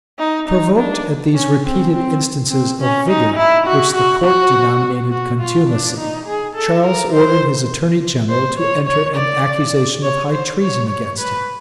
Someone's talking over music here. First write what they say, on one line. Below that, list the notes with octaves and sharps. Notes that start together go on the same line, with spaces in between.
Provoked at these repeated instances of vigor, which the court denominated contumacy, Charles ordered his attorney-general to enter an accusation of high treason against him.
D#4
D#4
D4
C#4
C4
C4
C4
C#4
D#4
E4
F#4
F#4
F#4
F#4
F4
D4
D#4
G#4
A4
A#4
C5
C5
C#5
C#5
D5
C#5
C5
C#5
C#5
B4